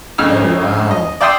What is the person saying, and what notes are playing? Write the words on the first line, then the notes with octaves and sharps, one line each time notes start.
Oh wow.
A#1 F2 C#3 D#4 E6 F6
D#5
D5 E5 G5 C6 D#6